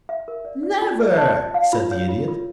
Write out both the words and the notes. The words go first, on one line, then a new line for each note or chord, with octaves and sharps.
"Never," said the Idiot.
E5
A#4
D5
D5
F4
D5
A5
D5
F5
F4
C#5
F4
F4